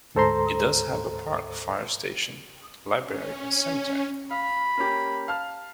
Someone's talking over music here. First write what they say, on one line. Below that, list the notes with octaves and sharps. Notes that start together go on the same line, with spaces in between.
It does have a park, fire station, library and cemetery.
D2 G#2 A4 C5 A#5 C6
C#4
F5 B5
A#3 C#4 G4
F5 A5 F6